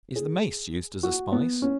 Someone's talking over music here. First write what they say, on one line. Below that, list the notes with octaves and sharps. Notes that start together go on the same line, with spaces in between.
Is the Mace used as a spice?
G#4
F#4
B3
C#4